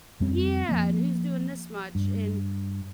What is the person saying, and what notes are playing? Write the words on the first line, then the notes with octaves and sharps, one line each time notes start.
Yeah, and who's doing this much, and
F2 G3 C4
F3 A#3
G2